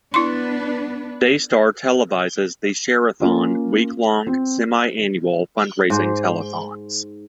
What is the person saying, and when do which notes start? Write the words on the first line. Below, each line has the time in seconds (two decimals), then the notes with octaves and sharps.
Daystar televises the Sharathon, week-long, semi-annual fundraising telethons.
0.14 B3 D4 E4 B4 C6
3.20 A#3 C#4 F4
4.27 C4
5.90 G#2 C5